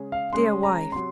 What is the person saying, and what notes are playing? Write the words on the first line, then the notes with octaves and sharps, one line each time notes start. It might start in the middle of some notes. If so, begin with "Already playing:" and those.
Dear wife!
Already playing: C#3 G#3 C#4 G#4
F5
C#3 G#3 C#4 G#4 C6
A#5
C3 F#3 C6